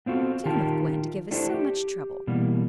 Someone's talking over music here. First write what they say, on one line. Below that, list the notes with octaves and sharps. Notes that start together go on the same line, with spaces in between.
Shame of Gwen to give us so much trouble!
B3 C4 F4 F#4 A4
D#3 D#4 F4 G4 A#4 A5
A3 D4 E4 G4 A4 C5
G4
B2 E3 G3 A#3